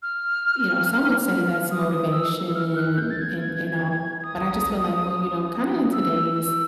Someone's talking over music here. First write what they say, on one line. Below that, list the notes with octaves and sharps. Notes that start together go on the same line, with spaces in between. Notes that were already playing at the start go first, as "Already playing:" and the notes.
you know, some would say that's motivation and and and all, but I just feel like, well, you know, kinda in today's
F6
D#6
D#6
E6
E6
E6
F6
F#6
G6
A6
G#6
D#6
E6
E6